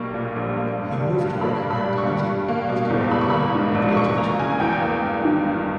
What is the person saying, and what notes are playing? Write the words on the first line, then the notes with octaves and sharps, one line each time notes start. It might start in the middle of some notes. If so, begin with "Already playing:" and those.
He moved to Rockingham County, North Carolina at the age of two.
Already playing: B1 G3 A#3 C#6
A#2
A#1
A#3
G2
G3
G2
A#3 B5
G2
B5
G3
C#6
G2
G3
A#3
B2
E2
G3 B5
C#6
A#3 B5
G#2
A#1
E3 C#6
A#3 A#5
C#3 G#5
E2 G5
A#3
G2
D#3
G2